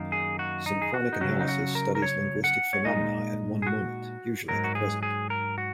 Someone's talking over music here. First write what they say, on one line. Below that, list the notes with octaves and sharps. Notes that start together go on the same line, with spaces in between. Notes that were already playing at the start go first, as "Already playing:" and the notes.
Synchronic analysis studies linguistic phenomena at one moment, usually the present.
Already playing: F#2 D#3 A#3
G#4
F#4
D#4
G#4
F#4
D#4
C#3 F#3 C#4 F#4
D#4
F#4
A#4
A#4
C#5
F#5
C#5
A#2 G#3 D#4 D#5
G#4
F#4
G#2 D#3 F#3 A#4
F#4
G#4
G#4
A#4
F#4